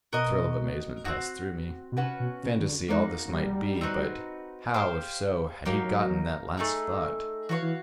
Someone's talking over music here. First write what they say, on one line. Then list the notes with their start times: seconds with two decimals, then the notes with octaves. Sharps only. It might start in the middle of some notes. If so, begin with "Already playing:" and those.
A thrill of amazement passed through me; fantasy all this might be but--how, if so, had he gotten that last thought?
0.13 B2 F#4 A#4 D#5
1.05 C4 D#4 F#4
1.92 B2
1.97 C3 C#4 F#4 B4
2.20 B2
2.43 C3
2.59 D#3
2.66 D3
2.88 G#3 A#3 D#4 F#4
3.28 F#3
3.35 G3
3.81 C4 D#4 F#4 B4
4.74 G4 C5 F5
5.65 F#3 A#3 D#4 G4
6.57 A3 C4 D#4 G#4
7.49 E3 F#4 A4 C#5 F5
7.62 E3